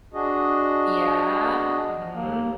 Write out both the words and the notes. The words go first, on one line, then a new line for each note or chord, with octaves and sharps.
Yeah. Mhm.
D4 F#4 G#4 D#5
D#2 A#3